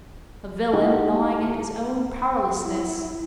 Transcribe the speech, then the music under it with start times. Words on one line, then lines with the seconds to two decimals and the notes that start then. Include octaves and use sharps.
A villain gnawing at his own powerlessness!
0.74 D#4 E4 G4 D#5 F#5
2.65 E4